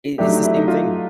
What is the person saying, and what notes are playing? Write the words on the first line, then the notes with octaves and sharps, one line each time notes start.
It it's the same thing.
F#3 A3 D4 E4 G4
D#4
E4
D#4
F4